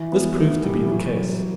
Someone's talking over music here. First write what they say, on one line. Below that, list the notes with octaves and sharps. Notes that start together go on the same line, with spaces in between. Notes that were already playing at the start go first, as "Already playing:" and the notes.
This proved to be the case.
Already playing: E3
B3
A3
G3
E3
F#3